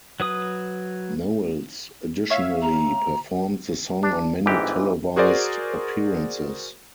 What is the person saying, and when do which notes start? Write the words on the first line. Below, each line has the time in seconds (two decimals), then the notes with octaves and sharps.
Knowles additionally performed the song on many televised appearances.
0.20 F#3 B4 D#6
2.30 C#5 E5 F5
2.62 A#5
4.03 D4
4.46 G1 G#2 E3 G4
5.16 F#4 G#4 A#4 C5 D5